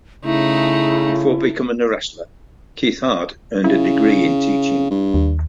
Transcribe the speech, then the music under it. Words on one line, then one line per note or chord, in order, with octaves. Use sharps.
Before becoming a wrestler, Keith Hart earned a degree in teaching.
C#3 A3 D#4 E4
C#3 E4
G2
D#2